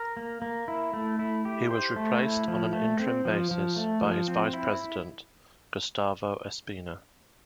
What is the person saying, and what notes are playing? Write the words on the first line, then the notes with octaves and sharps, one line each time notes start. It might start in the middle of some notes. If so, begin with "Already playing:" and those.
He was replaced on an interim basis by his vice president, Gustavo Espina.
Already playing: A#4
A#3
A#3
E4
A3
E4
G4
C5
A3
E4
F3
A3
C4
F3
F3
A3
F3
C4
E4